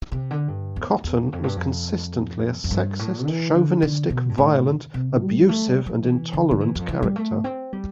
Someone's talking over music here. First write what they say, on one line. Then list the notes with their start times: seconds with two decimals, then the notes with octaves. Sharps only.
Cotton was consistently a sexist, chauvinistic, violent, abusive and intolerant character.
0.12 C3
0.31 D3
0.48 G2
0.76 E2
1.04 E2
1.32 F2
1.44 G2
1.57 F2
2.64 F2
2.71 G2
2.99 A2
3.27 E3
3.55 D3
3.82 D3
4.10 B2
4.29 G2
4.38 A2
4.94 C3
5.21 G3
5.49 A3
5.68 G3
5.86 F3
6.05 E3
6.33 D3
6.51 F3
6.61 E3
6.75 F2
6.89 E3
7.02 G3
7.16 A3
7.44 C4
7.73 G3